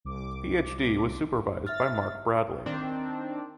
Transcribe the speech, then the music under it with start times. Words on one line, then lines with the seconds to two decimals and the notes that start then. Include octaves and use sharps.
His PhD was supervised by Mark Bradley.
0.05 C2 D6
1.67 E5 F6 A6
2.66 D#3 C4 D4